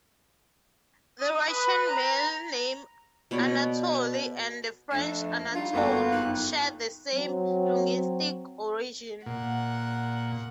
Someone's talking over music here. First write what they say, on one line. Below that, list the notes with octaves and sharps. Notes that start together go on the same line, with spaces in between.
The Russian male name Anatoly and the French Anatole share the same linguistic origin.
D#6
B4
A#5
B2 B3 C#5 D5
F2 A3 D4
G3 D#4 F4
G1 A#3 B3 F#4 A4 G5
F#2 D#4 F#6
F#3 C4
A#2 F#5